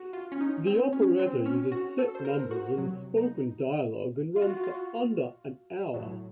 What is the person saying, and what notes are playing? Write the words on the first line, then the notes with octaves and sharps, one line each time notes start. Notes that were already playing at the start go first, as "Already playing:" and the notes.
The operetta uses set numbers and spoken dialogue and runs for under an hour.
Already playing: F#4
F4
C#4
D#4
C4
C#4
C4
C#4
F#4
A4
C5
A#4
F#4
C3 F#3
D#4
F4
F#4
F4
F#4
F4
F#4
A2 F#3